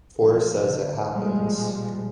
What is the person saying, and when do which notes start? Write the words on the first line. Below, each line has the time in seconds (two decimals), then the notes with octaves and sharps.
Forrest says "it happens".
0.22 F3
0.64 D3
1.10 A#2 F3 G3 G#3